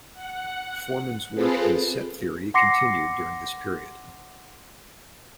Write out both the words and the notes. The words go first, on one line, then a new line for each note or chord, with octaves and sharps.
Foreman's work in set theory continued during this period.
F#5
C4 F4 G#4 A4 B4 C5
F#5 C6 D6 A#6 C7 C#7